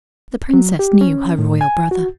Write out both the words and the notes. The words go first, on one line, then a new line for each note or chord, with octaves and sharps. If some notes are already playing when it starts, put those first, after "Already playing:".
The princess knew her royal brother.
F#3
G4
C#4
A2
G#5
F#4